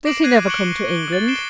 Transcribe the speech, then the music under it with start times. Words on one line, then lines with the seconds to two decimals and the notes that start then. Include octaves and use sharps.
Does he never come to England?'
0.05 D6 A#6 C7 D7 E7 F#7
0.24 F#6 G#6 A#6 C7 D#7
0.47 C#6 F#6 C#7 D7 F#7 G7
0.89 G7
1.12 A6 F#7 G7
1.27 C7 D7 E7 G7